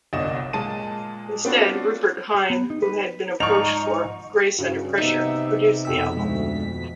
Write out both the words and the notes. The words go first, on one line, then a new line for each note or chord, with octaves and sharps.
Instead, Rupert Hine, who had been approached for "Grace Under Pressure", produced the album.
G1 C2 D4 C#5 D#5 E7
A#2 G#3 A#3 A5 D#7
B3 C4 D4 F4 F#4 C#5
G4
B3
D#4
B4
G#2 F3 D#4 D5 C#6 F7
G4
G2 C#3 F#4
C3 B3 D#4 E5
F2 B2 A4 G5 E6 B6
D2 G#3